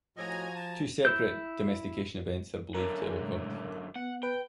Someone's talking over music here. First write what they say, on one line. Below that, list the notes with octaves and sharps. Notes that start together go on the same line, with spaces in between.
Two separate domestication events are believed to have occurred.
A2 F3 F#4 D#5 G#5 A#5
A5
E4 E6 G6
F#2 D3 A#4
G#4
A2 C#3 G#3
B3 F#5
B4 G5